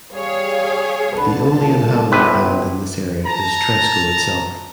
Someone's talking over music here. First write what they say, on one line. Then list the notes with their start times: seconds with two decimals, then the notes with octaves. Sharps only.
The only inhabited island in this area is Tresco itself.
0.14 G3 G#4 C#5 F5
1.17 C2 D3 A4 B4 A5
1.57 A#2
2.12 G1 C3 B3 B4
3.26 A5 A#5